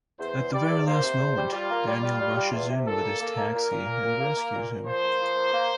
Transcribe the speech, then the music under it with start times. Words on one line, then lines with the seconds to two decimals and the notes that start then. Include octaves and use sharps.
At the very last moment, Daniel rushes in with his taxi and rescues him.
0.19 E2 C5
0.37 E2
0.53 G3 D5
0.69 E2
0.87 A#3 C5
1.03 C3
1.19 E2
1.37 G3
1.53 G3 F4
1.71 A#3
1.87 G3
2.03 G3
2.20 G3
2.36 G3
2.53 E2
2.69 C3
2.87 A#2 A4
3.04 A#3
3.20 A#3
3.37 A#3
3.53 A#2 A#4
3.70 A#2
3.87 A#3
4.03 A#2
4.20 A#3
4.37 A#3
4.54 A#2
4.70 A#2
4.86 F3 C5
5.04 A#3
5.21 F3
5.36 A#3
5.53 A#3